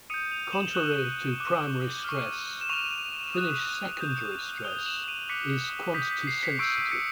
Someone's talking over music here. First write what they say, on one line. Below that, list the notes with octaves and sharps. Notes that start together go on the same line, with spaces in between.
Contrary to primary stress, Finnish secondary stress is quantity sensitive.
D#6 G6 C#7 D#7
D#7 F7
E7 F#7
G7
C#6 F#6 E7 F#7
D6 F#6
C#6 F6
E7
C#6 F6 D#7 F7
D#6 F#6
D#6 G6
D#6 G6 F7 G7
F7
E7 F#7
D#7 F7
D6 F#6 B6 C#7
D#6 G6 B6
B6
C7
B6 C#7
C#6 E6 G6 C7 D7
B6 C#7